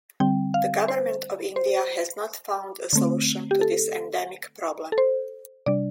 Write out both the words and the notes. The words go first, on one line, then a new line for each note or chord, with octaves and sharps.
The Government of India has not found a solution to this endemic problem.
D3 G3 C4 G5
F5
C5
C5
D3 A3 C4
G4
A4
A4
C5
C3 G3 D4 D5